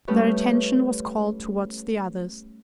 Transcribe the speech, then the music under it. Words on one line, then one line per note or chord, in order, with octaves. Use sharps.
Their attention was called towards the others.
G3 A3 B3 C#4 G4